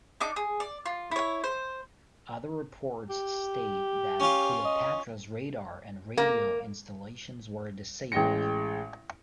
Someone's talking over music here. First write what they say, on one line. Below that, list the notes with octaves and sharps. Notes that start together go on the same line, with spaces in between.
Other reports state that "Cleopatra"s radar and radio installations were disabled.
D4 D#4 D6
G#4
D5
F4
E4 C#5
C5
G4
C#4 F4
D#5
A#3
A1 G#3 G5 A#6 C#7